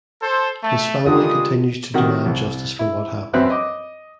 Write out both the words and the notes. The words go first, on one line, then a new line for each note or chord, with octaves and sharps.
His family continues to demand justice for what happened.
A4 C5
A3 A4
G3 G#3 F4 G4 A#4 D#6
C3 D#3 F#4 A#4 F#5
C2
E4
F#2 C4 B4 E5 F#6
D#5 D6